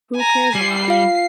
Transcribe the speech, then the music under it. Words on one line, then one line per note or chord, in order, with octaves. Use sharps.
Who Cares a Lot?
G#5 A#5
G3 C7
F4 F5